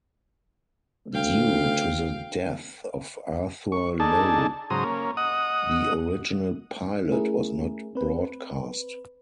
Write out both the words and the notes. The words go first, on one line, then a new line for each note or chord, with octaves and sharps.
Due to the death of Arthur Lowe, the original pilot was not broadcast.
D2 F5 G5
C#6
D4 D#4 G#4 A4 A5
G#2 C#3 F#3 C5 A#5 D#6
A#3 C#4
D#5 F#5 D#6
A3 C#4 E4 G#4 A#4
C4 B4